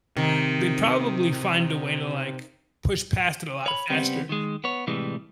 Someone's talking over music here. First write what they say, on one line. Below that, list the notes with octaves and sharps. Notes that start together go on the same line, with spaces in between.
they'd probably find a way to, like, push past it a lot faster,
C3 D#3
C#5 B5
C#3 G3 B3 C4
D#3 G#3
B3 C#5
A2 C3 E3 G3 G#3